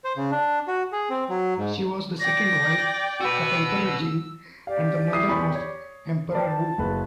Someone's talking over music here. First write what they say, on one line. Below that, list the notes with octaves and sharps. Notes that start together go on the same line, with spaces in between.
She was the second wife of Emperor Jing and the mother of Emperor Wu.
C5
C#3
D4
F#4
G#4
C4
F#3
G#2
D5 G5 A#6
F#4 B4 E6
G4 D5 F5
E4 D#6 C7
E2 B5 C#6
C#5
B4 D5 G5 A5
F#1 B4